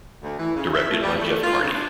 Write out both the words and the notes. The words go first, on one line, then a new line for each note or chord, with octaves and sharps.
Directed by Jeff Carney.
D2
E3
C#3
E5
A3
G3
A3
F4
C#3
D4